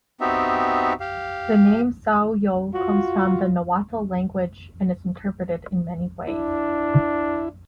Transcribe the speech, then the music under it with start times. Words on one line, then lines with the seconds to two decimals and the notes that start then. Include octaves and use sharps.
The name Sahuayo comes from the Nahuatl language, and is interpreted in many ways.
0.21 B3 C4 D#4 F#4 G4 E5
1.00 G4 F5
2.74 F4 F#4
6.28 D4 E4